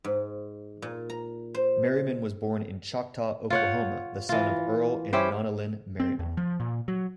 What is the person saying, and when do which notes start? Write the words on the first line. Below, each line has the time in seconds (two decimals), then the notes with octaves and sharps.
Merriman was born in Choctaw, Oklahoma, the son of Earl and Nonalyn Merriman.
0.04 G#2
0.82 A#2
1.10 A#5
1.54 C5
3.50 F4 C#5 F#5
4.29 E3 F4
5.13 C#4 E4 G4 C5
6.00 C4
6.19 E2
6.37 F3
6.60 A#2
6.88 F#3